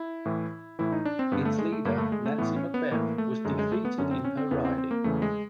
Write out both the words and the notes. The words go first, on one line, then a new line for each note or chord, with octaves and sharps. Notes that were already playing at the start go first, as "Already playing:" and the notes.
Its leader, Nancy MacBeth, was defeated in her riding.
Already playing: E4
A2 E3
A2 E3 E4
D#4
D4
C4
G2 D3 B3
A3
G#3
A3
G2 D3 A#3
A3
G#3
A3
A2 E3 B3
C#4
B3
A2 E3 A#3
A3
F#2 D3 G#3
G#3
A3
B3
F#2 D3 C#4
C4
C#4
C4
E2 C#3 E3 B3
C4
C4
A#3
E2 C#3 E3 A3
G#3